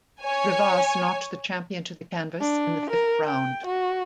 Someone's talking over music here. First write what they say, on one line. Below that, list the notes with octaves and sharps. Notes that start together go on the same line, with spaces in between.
Rivas knocked the champion to the canvas in the fifth round.
C#5 G#5
D4
A#4
G5
F#4